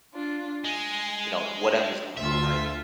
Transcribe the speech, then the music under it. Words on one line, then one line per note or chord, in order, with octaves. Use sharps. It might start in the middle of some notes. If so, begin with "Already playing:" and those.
you know, whatever's going on, right?
D4 F4
G#3 G#5
D4
D2 F4 A4 E5 C6